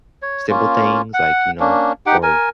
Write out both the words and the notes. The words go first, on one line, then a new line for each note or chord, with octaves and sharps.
simple things, like you know or
C#5
A#3 C#4 F4
F#5
A#3 C#4 D4
D#4 G4 F#5 G5
A#4 G#5